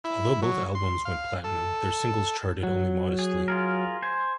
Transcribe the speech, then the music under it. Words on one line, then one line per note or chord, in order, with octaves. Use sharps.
Although both albums went platinum, their singles charted only modestly.
E4
F#3
C6
F5
A4
F#3
G#4
F4 G#4 A#4
C5 G#5